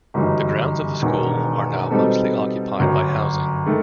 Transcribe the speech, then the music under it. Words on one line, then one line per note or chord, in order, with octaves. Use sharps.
The grounds of the school are now mostly occupied by housing.
G1 F#2 E3 G3 D#4
E1 E2 D#3
B2 G3 C4 D#4 A4
G1 F#2 F#3
D#3 A3